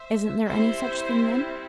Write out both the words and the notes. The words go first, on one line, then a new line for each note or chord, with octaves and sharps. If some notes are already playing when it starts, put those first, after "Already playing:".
"Isn't there any such thing, then?"
Already playing: C5 E5
G3 C4 E4 C5 E5